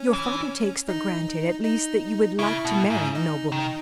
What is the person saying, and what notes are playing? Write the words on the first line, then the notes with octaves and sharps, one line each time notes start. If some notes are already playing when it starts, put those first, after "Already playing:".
"Your father takes for granted at least that you would like to marry a nobleman."
Already playing: C#4
E3
D#4
D#4
C#3 E4
B2
G#2
D#4
D#3